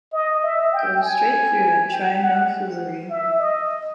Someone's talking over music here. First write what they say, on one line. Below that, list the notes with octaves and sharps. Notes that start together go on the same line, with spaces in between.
Go straight through and try no foolery.
D#5
E5
G5
G#5
G5
F#5
E5
D#5